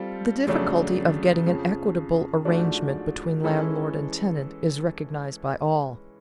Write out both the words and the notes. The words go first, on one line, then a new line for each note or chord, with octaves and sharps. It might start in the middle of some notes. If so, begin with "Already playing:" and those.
The difficulty of getting an equitable arrangement between landlord and tenant is recognized by all.
Already playing: G3 C4 F4 A4
F2 C#3 F#3 A3 D4
F2 C#3 F3
G#2 F3 A3 D4 F#4
E3 G#3 C#4 E4 A4